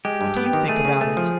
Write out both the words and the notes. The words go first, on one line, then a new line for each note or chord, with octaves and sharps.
"What do you think about it?"
G#3 G4
G2
B3
D#3
A3 G#4
C#3
A3
F3